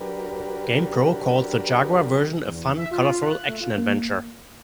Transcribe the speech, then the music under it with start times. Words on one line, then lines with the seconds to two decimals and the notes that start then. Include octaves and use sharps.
"GamePro" called the Jaguar version "a fun, colorful action adventure".
0.01 F#3 D4 G4 A#4 B4
2.47 E2
2.77 E5
2.91 F4
3.23 F#6
3.48 A3
3.60 F4
3.78 A#3